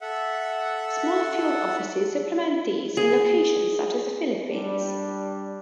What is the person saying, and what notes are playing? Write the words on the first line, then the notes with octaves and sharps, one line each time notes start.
Smaller field offices supplement these in locations such as the Philippines.
A4 E5 F#5
G#4
G3 D4